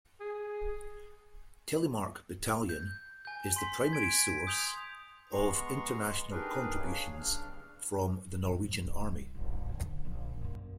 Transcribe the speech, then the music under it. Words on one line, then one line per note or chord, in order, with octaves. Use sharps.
Telemark Battalion is the primary source of international contributions from the Norwegian Army.
G#4
G6
G#5 G6
C6 B6
G#6 D7
D#6 G6 F7
G#3 B3 A#5 C6 C#6
D4 D#4 G4 G#4 A#4 B4
D4 G#4 C#5 F5
G2 C#3 D4 F6
A#1 F3
C2
D#1 A1
D3 F3
A#1 F#3
F#2 A#3